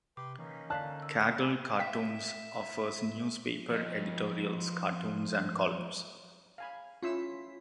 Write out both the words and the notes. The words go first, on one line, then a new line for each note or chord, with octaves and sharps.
Cagle Cartoons offers newspaper editorial cartoons and columns.
C3 B4 G5 C6 D6
E3 A#3 C#4 D#4
D3 D5 F5 A5 F#6 B6
E6
C3 G#5 B5
E5 F5 G5 B6
F3 D#5
F5 G#5 B5
C#4 E4 F4 C6 E6 B6